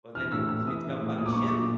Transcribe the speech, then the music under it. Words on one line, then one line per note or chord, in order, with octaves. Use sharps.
Well, then you you jump on a ship.
E3 F6
A2 E6
E3 E6
E3 D#6
E3
A2
A#2 D#6
D6
F#3 C#6
D6
A#2